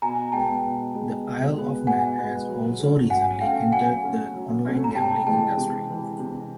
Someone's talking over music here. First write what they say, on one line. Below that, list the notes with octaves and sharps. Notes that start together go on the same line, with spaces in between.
The Isle of Man has also recently entered the online gambling industry.
B2 G#5 A#5
G#3 B3 G5 A5
B2
G#3 B3
B2
G#3 B3
B2 F#5 G#5
G#3 B3
F#3
A3 C#4
F#3 F#5 G#5
A3 C#4 F5 G5
F#3 F#5 G#5
A3 C#4
F#3
A3 C#4
A#5
C3 G5 A5
E3 G#3 G5 A5
C3
E3 G#3
C3